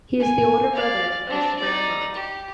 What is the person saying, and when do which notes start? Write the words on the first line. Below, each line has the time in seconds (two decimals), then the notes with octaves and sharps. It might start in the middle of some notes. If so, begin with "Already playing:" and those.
He is the older brother of Christopher Amott.
0.19 G#5
0.74 D5 F5
1.26 C4 D4
1.58 D#4 D5
2.14 G4